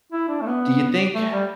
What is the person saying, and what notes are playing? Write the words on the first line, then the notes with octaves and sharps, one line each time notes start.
do you think, uh,
E4
D4
A3
B3
A3
G3